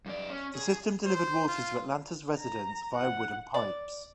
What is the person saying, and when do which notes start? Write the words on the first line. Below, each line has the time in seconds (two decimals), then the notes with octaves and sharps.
The system delivered water to Atlanta's residents via wooden pipes.
0.06 F#2 D5
0.30 C#4
0.55 G#4
1.05 C5
1.48 F4
2.39 A#5
2.95 F#5
3.54 D5